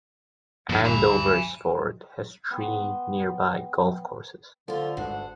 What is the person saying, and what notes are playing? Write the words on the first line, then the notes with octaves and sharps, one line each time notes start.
Andoversford has three nearby golf courses.
G2 A#2 D#3 F3
D2 G2 G#5 B5
B3 G5 C6 C#6
D3 F3 A3 F4
G1 D2 G#2 B3 D4 C5 F#5